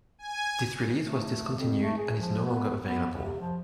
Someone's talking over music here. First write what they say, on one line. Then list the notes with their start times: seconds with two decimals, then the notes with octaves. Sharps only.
This release was discontinued and is no longer available.
0.19 G#5
0.99 A3
1.58 F2
1.83 A3
1.98 G#4
2.20 F3
2.45 B3
2.86 B3
3.21 C3
3.39 F3